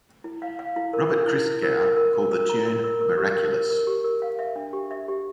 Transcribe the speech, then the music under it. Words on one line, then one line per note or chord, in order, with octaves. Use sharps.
Robert Christgau called the tune "miraculous".
E4
F5
F5
E4
A#4
A#4
E4
E4
A#4
A#4
A#4
A#4
A#4
A#5
A#4
A#4
A#4
G4
A#4
A#4
A#4
G4
A#4
F5
E5
D4
G4
E5
G4